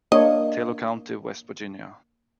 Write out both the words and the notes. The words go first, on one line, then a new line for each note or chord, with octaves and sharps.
Taylor County, West Virginia.
A#3 D4 C#5 D#5